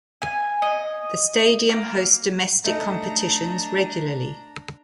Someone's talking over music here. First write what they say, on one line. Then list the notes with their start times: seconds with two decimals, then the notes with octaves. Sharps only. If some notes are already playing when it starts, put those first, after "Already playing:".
The stadium hosts domestic competitions regularly.
0.22 G#5
0.62 D#5
1.69 A#3
2.64 A3 D4 D#4 A4 A#5